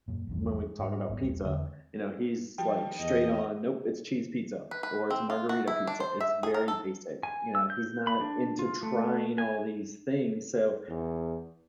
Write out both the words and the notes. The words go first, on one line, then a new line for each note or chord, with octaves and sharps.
when we talk about pizza, you know, he's, like, straight on, nope, it's cheese pizza, or it's a margarita pizza. It's very basic, you know, he's not into trying all these things. So,
F#2 A#2
A#1 E2 G2
G#2
D#1 G#1 F#3 B3
E1 C2
E2 D3 G#3 C4
F3 G3 G5
E2 D#5
B4
B4
C4
F4
F#4
E4
D4
C5
E5
G#4
A#4
A4
G#5
E6
G6
B5
D4
F4
A3
G#5
E2